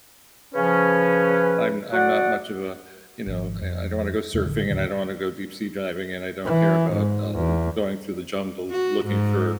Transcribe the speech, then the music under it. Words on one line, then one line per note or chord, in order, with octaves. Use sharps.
I'm I'm not much of a you know, I I don't wanna go surfing and I don't wanna go deep-sea diving and I don't care about, uh, l going through the jungle looking for
C#3 F3 C#4 B4
F#3 D5 F#5
G#1 F3
F2
E2 C3 G#3
A1 G#2 D3
D#2 A2 D3 D#3
E3
G#2
E2
F#4
G#2